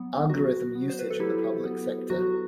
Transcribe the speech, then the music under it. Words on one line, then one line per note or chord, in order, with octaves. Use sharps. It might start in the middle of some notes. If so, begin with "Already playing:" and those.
Algorithm usage in the public sector.
Already playing: F#3 B3
F#3 F#4
B3
C5
B4
A4
F#3 E4 G4
B3
F#3 F#4